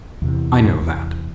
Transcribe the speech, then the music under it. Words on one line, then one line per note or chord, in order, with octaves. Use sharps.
I know that.
E2 C3 E3